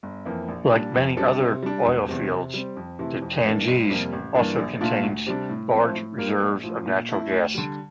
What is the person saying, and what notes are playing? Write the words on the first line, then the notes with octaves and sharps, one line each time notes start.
Like many other oil fields, the Tengiz also contains large reserves of natural gas.
G1
F2 E3 A#3 E4
A#1
A#2 G3 D4
F2
C3 G3 D4 A4
C3
G3 D4
E1
E2 C3
C3
G3 C4
F2
C3 E3 A3 E4
F2
E3 A#3 D4 A4
G1
F2 C3 G3 A#3
A1
G2 E3 A#3 D4
A#1
A#2 A3 D4 F4
D2
C3 G3 D4
A2
F3 A3 C4
A2
G3 A#3 F4 A#4
A#1
A2 F3
A#2
A3 E4
D2
D3 G3